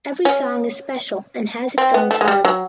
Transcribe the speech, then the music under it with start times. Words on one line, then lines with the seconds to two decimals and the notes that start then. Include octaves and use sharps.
Every song is special and has its own charm.
0.25 C#4
1.78 C4
1.94 B3
2.11 A3
2.21 G#3
2.28 G3
2.45 F#3